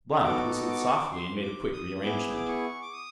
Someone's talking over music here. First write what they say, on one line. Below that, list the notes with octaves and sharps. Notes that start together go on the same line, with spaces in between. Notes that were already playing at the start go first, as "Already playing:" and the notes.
Blount whistled softly and made a quick re-arrangement.
B3 D#4 F#4 A4 D6
D6
C#6
D6
C6
D6
D#6
B3 E4 G#4 D6
D6
C#6
D6
D#6